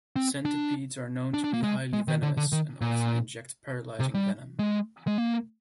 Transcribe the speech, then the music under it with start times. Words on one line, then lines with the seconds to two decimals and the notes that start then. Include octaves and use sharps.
Centipedes are known to be highly venomous, and often inject paralyzing venom.
0.16 C4
0.45 D4
1.34 D4
1.44 D4
1.54 A#3
1.64 G#3
1.93 G#3
2.08 D#3
2.22 D3
2.37 D3
2.52 D#3
2.81 A#2
4.00 C3
4.14 G3
4.59 G#3
5.07 G#3
5.18 A#3